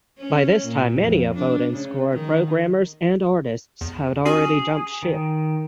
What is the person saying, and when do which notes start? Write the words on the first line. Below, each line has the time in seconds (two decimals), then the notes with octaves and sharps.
By this time many of Odin's core programmers and artists had already jumped ship.
0.18 C#4
0.64 A#2
1.00 F2
1.35 D4
1.72 C#3
2.12 D#3
3.81 E2
4.26 C#4 F#4 G#4 C7
5.03 D#3